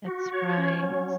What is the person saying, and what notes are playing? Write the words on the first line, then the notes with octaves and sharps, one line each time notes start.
That's right.
F#4
C#5
C#4
F#3